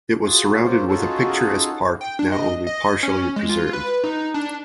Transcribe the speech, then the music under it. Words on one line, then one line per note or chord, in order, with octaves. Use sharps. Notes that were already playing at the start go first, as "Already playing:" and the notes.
It was surrounded with a picturesque park, now only partially preserved.
F4 F#4 G#4
C#3 F#3 A#3 C#4 F4 C5
C#4 D#4 F4 F#4 G#4 A4
G5
D4
D#5
D#5
C#4
G#3
F4
B4
D#4
D4